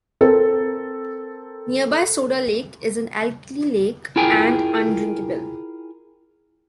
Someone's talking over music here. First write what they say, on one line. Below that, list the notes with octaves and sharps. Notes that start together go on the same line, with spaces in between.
Nearby Soda Lake is an alkali lake and undrinkable.
C4 A4 A#4
E4 F4 G#4 A#4 G5 G#5